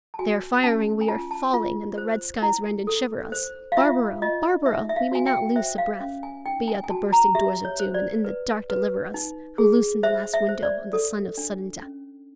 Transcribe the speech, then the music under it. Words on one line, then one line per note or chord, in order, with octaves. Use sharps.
They are firing, we are falling, and the red skies rend and shiver us, Barbara, Barbara, we may not loose a breath-- Be at the bursting doors of doom, and in the dark deliver us, Who loosen the last window on the sun of sudden death.
A5
F#4 G#5
C#4 A5
G#5
F4 A5
A5
F4
C5
E4
A4
C5
F5
F4 E5
F4 D#5
D#4 E5
E5
F5
F#4 G#5
G5
C5 E5
F5
C#4
G#5
D#4 G5
G#5
G#5
F#4 A5
A#5
G4 E5
C#5
C5
D5
B4
B4
D#4
G#4
C5 E5
E5
C5
D5
A4
D4
C#4